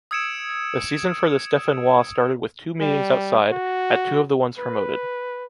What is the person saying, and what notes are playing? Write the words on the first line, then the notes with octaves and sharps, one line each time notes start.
The season for the Stéphanois started with two meetings outside, at two of the ones promoted.
D#6 E6 G#6 C#7 D7 E7
G3
F#4
B4